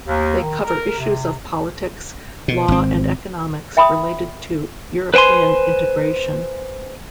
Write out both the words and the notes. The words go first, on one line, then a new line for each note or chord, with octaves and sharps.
They cover issues of politics, law and economics related to European integration.
D#2
D#3
A#4
C3
B2
G#1 C4
E5 G5 B5 C6 D#6
B4 C5 G5 G#5 C6